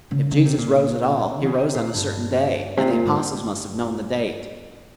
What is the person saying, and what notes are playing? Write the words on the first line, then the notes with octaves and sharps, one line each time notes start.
If Jesus rose at all, he rose on a certain day, and the apostles must have known the date.
C#3
C#3
C3
A#2
E3
C#3
C3
A#2
G2
C3
A#2
G#2
G2